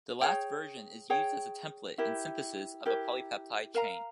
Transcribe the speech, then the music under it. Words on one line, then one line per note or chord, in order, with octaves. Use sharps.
The last version is used as a template in synthesis of a polypeptide chain.
G#4 C#5 G5
G#4 C#5 G5
E4 G4 A#4
E4 G4 A#4
A#4 F5 A#5